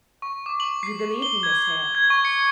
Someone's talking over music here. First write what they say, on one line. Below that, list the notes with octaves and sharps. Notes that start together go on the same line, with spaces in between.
You believe me, Miss Hale?'
C#6
D6
F#7
C7
C7
G7
G#6
G#6
C#6
C#7